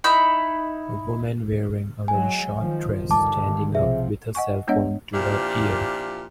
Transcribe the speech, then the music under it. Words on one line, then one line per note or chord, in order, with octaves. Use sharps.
A woman wearing a very short dress standing up with her cellphone to her ear.
D#4 E4 B5 G6
F#3 G#3 G#5
D#3 F3
G2 D3 D#3 A5 D6
B1 C3 F3 G#4 E5
D#5 F#5 G#5 C#6
G#3 B3 D4 C#5 D#5 F#5
A#2 F3 D4 E4 G4